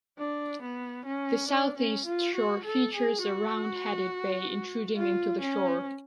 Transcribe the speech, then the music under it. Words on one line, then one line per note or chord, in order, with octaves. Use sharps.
The southeast shore features a round-headed bay intruding into the shore.
D4
B3
C#4
D4
C#4
F4
F#4
A4
G#4
F#4
F4
C#4